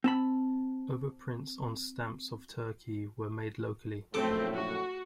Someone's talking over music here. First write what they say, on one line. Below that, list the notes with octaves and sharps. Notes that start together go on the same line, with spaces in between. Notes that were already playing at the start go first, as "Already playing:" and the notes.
Overprints on stamps of Turkey were made locally.
C4 A5 B5
A#1 F#2 A2 A3 C4 A4 D6
F#4